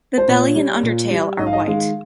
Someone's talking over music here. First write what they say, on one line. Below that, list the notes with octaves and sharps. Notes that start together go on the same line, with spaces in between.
The belly and undertail are white.
C5
A#2 C#5
G3
A#2
G3
G#2 D#5
F5
D#5
D#3 G#3 F5